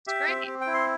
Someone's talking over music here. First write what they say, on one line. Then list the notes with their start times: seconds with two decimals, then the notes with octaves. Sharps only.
It's great.
0.07 G4 E5
0.28 C4
0.47 C4
0.61 G5
0.67 E4
0.74 C6